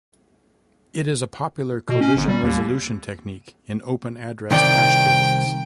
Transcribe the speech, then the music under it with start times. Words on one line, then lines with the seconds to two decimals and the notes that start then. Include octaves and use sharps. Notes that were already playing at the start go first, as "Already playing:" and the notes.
It is a popular collision-resolution technique in open-addressed hash tables.
1.89 B2
2.01 C#4
2.16 G1
2.28 G3
2.43 D#2
4.51 C2 D#3 D5 G5